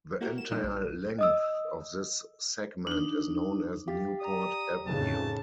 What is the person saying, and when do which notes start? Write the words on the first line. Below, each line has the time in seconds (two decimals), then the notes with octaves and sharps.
The entire length of this segment is known as Newport Avenue.
0.21 A#3 E4 F#4 G4 A#4
0.38 E7
0.51 F2 A#2 F3 G3 D4 D#4
0.63 B1
1.19 D#5 D#6 E6
2.87 D4 D#4
3.88 G4 F5 A6
4.21 D5 A#5 D#6
4.88 F2 A2 C#3 C#4 D#4 B4 A5